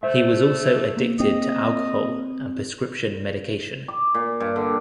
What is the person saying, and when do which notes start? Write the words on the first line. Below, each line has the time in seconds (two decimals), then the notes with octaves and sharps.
He was also addicted to alcohol and prescription medication.
0.03 A3 C5 E5
0.97 A#3
1.20 C4 D#5
3.88 D6
4.15 A#2
4.40 G2
4.56 D3